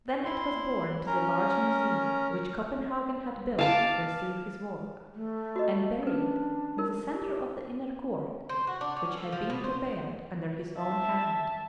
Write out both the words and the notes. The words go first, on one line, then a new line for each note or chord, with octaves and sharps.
Then it was borne to the large museum which Copenhagen had built to receive his work, and buried in the centre of the inner court, which had been prepared under his own hand.
E4 C6
C#4 A#4 A#5
F5 A5 D6
A3
F#4 D#5
C#4 D4 B4
D#4 A#4
G4
C5
F#4
D4
C#4
A4
F3
B2
C5
E5 A5